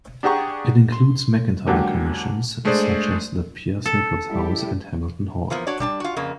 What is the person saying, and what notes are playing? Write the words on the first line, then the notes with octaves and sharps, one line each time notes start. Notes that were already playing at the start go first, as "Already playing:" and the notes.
It includes McIntire commissions such as the Peirce-Nichols House and Hamilton Hall.
D4 G4 G#4 F#5 A#5 C#6
C6
C#2 D3 F#3 A#3 G4
G#3 A3 D4 G#4 C5 D5
A4
G3 E4 G4
E3 F3 A#3 B3
D4 F#4 C#5 D5
G3 D4 A5
F4 F#4
F2 C#3 A#3